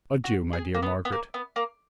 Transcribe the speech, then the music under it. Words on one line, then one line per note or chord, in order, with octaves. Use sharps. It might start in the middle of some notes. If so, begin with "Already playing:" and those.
Adieu, my dear Margaret.
F#4
G#4
A#3
B3
B3
A#3
B3
A#3